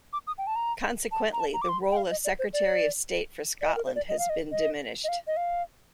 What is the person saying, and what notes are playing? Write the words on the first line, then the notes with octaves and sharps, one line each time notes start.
Consequently, the role of Secretary of State for Scotland has been diminished.
D6
D#6
G5
A5
A#5
A5
A#5
A5
A#5
D6
C6
G5
F5
D#5
D5
C5
D5
D5
D#5
A#4
C5
D5
D#5
F5
D#5
D#5
D#5
F5
D#5
F5